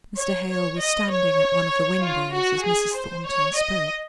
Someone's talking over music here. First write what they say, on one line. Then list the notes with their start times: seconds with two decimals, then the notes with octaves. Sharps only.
Mr. Hale was standing at one of the windows as Mrs. Thornton spoke.
0.17 C#5
0.48 C#5
0.79 D#5
1.10 C#5
2.03 F4
2.34 F#4
2.65 G#4
2.96 C5
3.27 C#5
3.58 D#5